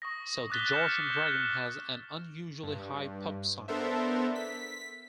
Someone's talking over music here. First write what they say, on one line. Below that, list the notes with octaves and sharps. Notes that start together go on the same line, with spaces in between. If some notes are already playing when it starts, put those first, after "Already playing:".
So the "George and Dragon" has an unusually high pub sign.
C#6 D#6 A#6
D6 D#6 F#6 A6 B6 G7
F6 G6 A6 A#6 C#7 E7
E7
G2
B3 D4 A4 A#4 C5 E5
B6